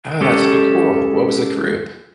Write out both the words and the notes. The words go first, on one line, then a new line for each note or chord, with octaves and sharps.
Oh, that's so cool. What was the group?
G#3 C#4 G4 A4